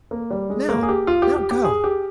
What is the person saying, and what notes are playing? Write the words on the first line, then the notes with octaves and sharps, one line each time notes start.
"Now--now, go."
A#3
G3
G#3
A#3
G#4
G4
F4
G4
G4
G4
G#4
G4